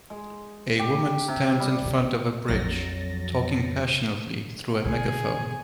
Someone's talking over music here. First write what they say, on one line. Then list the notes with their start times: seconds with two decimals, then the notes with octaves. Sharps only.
A woman stands in front of a bridge, talking passionately through a megaphone.
0.10 G#3
0.79 G4
1.28 C3
1.60 G3
2.48 A#1 F2 F#3 A6 A#6
4.85 B2 D3 G#4